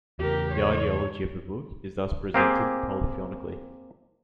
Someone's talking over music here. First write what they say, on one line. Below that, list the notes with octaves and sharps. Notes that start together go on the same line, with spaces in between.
The ideology of the book is thus presented polyphonically.
E2 C#3 G4 A#4
C#5
A#3 C4 G4 G#4